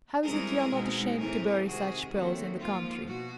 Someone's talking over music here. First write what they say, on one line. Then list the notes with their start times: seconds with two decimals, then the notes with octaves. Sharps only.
"How is it you're not ashamed to bury such pearls in the country?"
0.23 G2 E3 G#3 C4 G#4 A#4
0.71 B2 G#3 C4 D#4
1.18 A2 E3 A3 C4 G#4 A#4
1.65 C3 D#3 G#3 F#4 G#4
2.12 D#2 D#3 F#3 A3 C4 F#4
2.61 G#2 F3 A#3 F4
3.07 B2 F#4